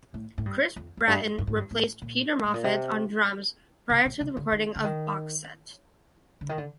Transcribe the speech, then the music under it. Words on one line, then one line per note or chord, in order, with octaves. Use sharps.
Chris Bratton replaced Peter Moffett on drums prior to the recording of "Box Set".
A2
A2
G2
F2
F2
G2
G2
A2
G2
A2
A#2
A2
A#2
C3
C3
A#2
C3
D3
D#3
D3
D#3
D3
D#3
D3